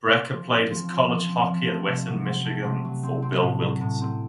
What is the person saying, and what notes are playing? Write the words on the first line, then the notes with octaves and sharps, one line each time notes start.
Brekke played his college hockey at Western Michigan for Bill Wilkinson.
F4
F3
C4
F3
F4
F3
C4
F3
A3
C3
F#3
C4
A3
C3
F#3
C4
C4
A2
F#3
A2
C4